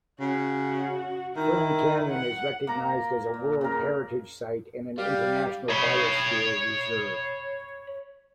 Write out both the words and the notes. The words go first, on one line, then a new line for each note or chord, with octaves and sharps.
Fern Canyon is recognized as a World Heritage site and an International Biosphere Reserve.
C#3 F#4
D#3 E4
F#5
A#3 A#5
A#2
C#3 A#4
G3 G4 F5
C#5 B5